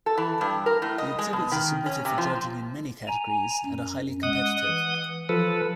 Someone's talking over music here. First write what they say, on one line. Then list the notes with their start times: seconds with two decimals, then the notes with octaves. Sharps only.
The exhibits are submitted for judging in many categories, and are highly competitive.
0.06 A4
0.17 E3
0.41 G2
0.66 A#4
0.82 A2
0.98 D#5
1.19 G#3
1.33 B2
1.52 D#3
1.86 C#4
2.05 C3
2.18 F3
3.07 G#5 A#5
3.66 F#2
4.23 G#3 F#5 D#6
4.64 E3
5.29 F3 A4 B4